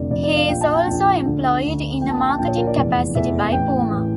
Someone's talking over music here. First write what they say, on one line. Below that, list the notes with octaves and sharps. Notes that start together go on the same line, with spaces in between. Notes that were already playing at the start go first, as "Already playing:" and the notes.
He is also employed in a marketing capacity by Puma.
Already playing: F1 F2 D3 D5
F1 F2 D3 D5
D5
F5
A#1 A#2 G5
A5
G5
A#1 A#2
D2 D3
D2 D3
A#1 A#2 G5
A5
G5
A5
A#1 A#2 G5
C#5
A#4
D5
F1 E2 E3
F1 E2 E3 E5
A1 A2 E3 G5
A2 E3